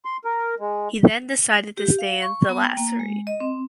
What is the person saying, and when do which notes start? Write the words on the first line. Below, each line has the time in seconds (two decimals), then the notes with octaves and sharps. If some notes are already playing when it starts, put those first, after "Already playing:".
He then decided to stay in Thalassery.
0.05 C6
0.25 A#4
0.59 G#3
1.77 G4
1.99 F5
2.22 C#6
2.49 B3
2.64 G5
2.77 A#3
3.00 G#3
3.27 D#5
3.40 C4